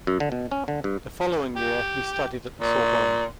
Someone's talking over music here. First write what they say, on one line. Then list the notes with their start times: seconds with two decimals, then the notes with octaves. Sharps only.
The following year he studied at the Sorbonne.
0.07 F#2
0.20 D3
0.32 B2
0.51 C#4
0.68 D3
0.84 G2
1.56 G4
2.61 A#2